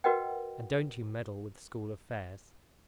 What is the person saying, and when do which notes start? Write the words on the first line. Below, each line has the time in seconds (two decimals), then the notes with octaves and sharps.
And don't you meddle with school affairs.
0.04 F#4 A#4 B4 D#5 F#5 G5